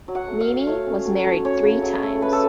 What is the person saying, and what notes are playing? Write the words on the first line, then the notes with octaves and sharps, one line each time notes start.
Mimi was married three times.
F#3
F#5
A3
F5
F#3
A3 C#5
C#4
F#3
A3
C#4 C#5
C#3
F#3
A3
A3 B4
A4